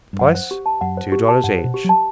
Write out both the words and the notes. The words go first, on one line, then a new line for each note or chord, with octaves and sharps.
Price, two dollars each!
G2
F#2 F#5
C5
G4
A5
F#2 F#5
C5
G4
A5
G2 F#5
C5
B2
G4
F#3
A5